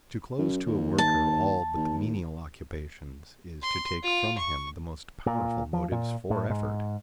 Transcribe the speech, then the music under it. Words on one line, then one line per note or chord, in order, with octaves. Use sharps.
To close to a worker all but the menial occupations is to take from him the most powerful motives for effort.
F#2
D#2
A5
D#2
C6
F4
C#6
A#2
F3
A#2
A2
G#2